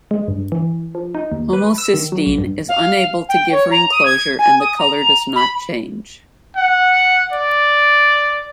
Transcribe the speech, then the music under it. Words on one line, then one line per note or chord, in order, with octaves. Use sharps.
Homocysteine is unable to give ring closure and the color does not change.
G#3
G2
E3
F3
D#4
D#2
B4
E6
D#3
F#3
B1
G2
F5
G5
C#5
A#5
D#6
G#6
G#5
D#6
A#5
B5
F#5
D5